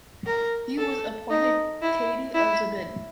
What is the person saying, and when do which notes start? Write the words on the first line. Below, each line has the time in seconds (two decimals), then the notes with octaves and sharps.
He was appointed qadi of Zabid.
0.27 A#4
0.78 A4
1.30 D#4
1.83 E4
2.34 E4